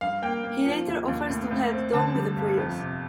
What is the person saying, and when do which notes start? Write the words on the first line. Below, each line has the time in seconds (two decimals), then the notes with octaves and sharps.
He later offers to help Don with the prayers.
0.01 G2 F5
0.22 A#3 G5
0.44 A#3
0.65 F3
0.87 D#2
1.08 D#2
1.30 A2
1.51 A2
1.71 C4
1.93 D3 A5
2.15 G3
2.36 G1
2.58 F2
2.79 C3